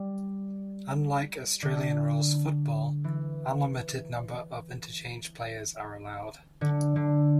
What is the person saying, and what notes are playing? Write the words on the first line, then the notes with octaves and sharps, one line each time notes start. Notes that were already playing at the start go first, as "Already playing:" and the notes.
Unlike Australian Rules Football, unlimited number of interchange players are allowed.
Already playing: G3
D3
E3
D3
D3